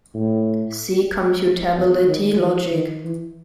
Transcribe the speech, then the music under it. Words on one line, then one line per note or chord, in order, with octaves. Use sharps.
See Computability logic.
A2
E2
D#3
E3
D#3
E3